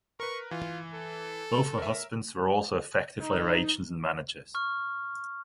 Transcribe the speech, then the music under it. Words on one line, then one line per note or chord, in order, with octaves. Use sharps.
Both her husbands were also effectively her agents and managers.
A#4 B4 C#6
E3 F4
A4
A#4 E5
D#4
C#6 F6